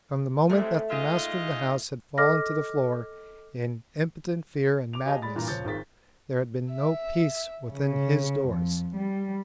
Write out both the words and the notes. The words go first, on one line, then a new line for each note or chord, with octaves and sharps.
From the moment that the master of the house had fallen to the floor in impotent fear and madness there had been no peace within his doors.
A2 C3 G#3 A3
G#2 F4 D#5
A4 D#5 D6 F6 A#6
D6 F7
G4 B4 D#5 F5 G#5 A5
G#3 D5 B5 A6
G2 A#2 E3 F5 A#5
D#1 C#2 F3 C#5 G6 A6
G#1 D#3 F4 G#4 A6 B6
E5
C#3
F2
G3